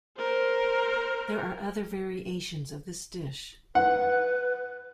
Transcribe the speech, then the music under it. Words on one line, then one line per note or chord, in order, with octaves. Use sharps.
There are other variations of this dish.
A#4 C5
B4 F#5